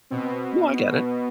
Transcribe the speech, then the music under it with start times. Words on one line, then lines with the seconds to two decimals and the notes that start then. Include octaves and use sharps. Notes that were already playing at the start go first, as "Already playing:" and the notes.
No, I get it.
0.11 B2 C4
0.58 B3